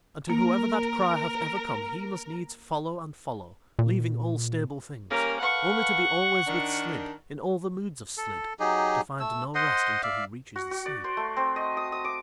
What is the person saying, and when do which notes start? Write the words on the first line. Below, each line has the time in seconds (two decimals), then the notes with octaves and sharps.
And to whoever that cry hath ever come he must needs follow and follow, leaving all stable things; only to be always with Slid in all the moods of Slid, to find no rest until he reaches the sea.
0.30 A#3 A#4
3.79 A#2
5.10 G3 A#3 C#4 A#4
5.40 A4 B4 F5 F#5 C#6
6.46 D#3 D4
8.17 A4
8.60 F#3 D#4 G4 G#4
9.20 A3 E6
9.55 C5 D#5 F#5 C6
10.03 D5 E5 F5
10.56 F#4
10.71 F#4
10.86 D5
11.04 C5
11.17 A3
11.37 C4
11.56 D#5
11.77 D#6
11.92 D#6
12.04 D6